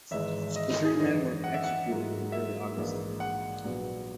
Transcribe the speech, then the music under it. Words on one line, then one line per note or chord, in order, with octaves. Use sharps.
The three men were executed in early August.
G#1 G#2 E3 G#3 E5
D#5
D#5
G#4
F#2 E3 G#3 D#5
F#5
E5
F#5
G#2 F#3 A#3
E5
A#1 G#2 E3 A#3
F#5
A#1 A#2 F#3 B3